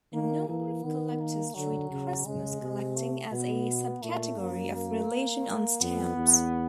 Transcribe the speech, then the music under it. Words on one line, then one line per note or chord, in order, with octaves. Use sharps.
A number of collectors treat Christmas collecting as a subcategory of religion on stamps.
D#3 A#3
E3 A#3
D#3 B3
A#3
D3 F#3
C#3
C#3 G#3
C3
A3
B2 B3
A#2 A3
F#2 A#3
A#3
F2 B3
E2